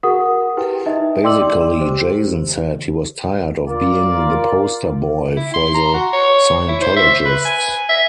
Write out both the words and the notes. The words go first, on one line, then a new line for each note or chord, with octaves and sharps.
Basically, Jason said he was tired of being the poster boy for the Scientologists.
F#4 G#4 A#4 F#5 D#6
E4 G4 B4 G5
D#4 E4 D#5 E5
D5 G5 C6 D6 E6 F#7
G4 C5
F4 A#4 D5
E4
C6
A#5
F#4
C#5
E4
C5
E5
B4
G#5
E5